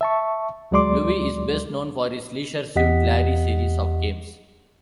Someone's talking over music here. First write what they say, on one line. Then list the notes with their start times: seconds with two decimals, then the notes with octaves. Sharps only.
Lowe is best known for his "Leisure Suit Larry" series of games.
0.01 E5 A5 C#6
0.71 D2 F#3 G#3 D5 C6 D6
2.76 E2 G4 D#5 F#5 B6